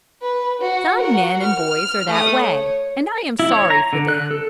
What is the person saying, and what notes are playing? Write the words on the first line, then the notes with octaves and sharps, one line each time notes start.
Some men and boys are that way, and I am sorry for them.
B4
F#4
F#4 A#4
F6
A3 D#6
C#5
E4
C#5
A#5
D3
F#6
A4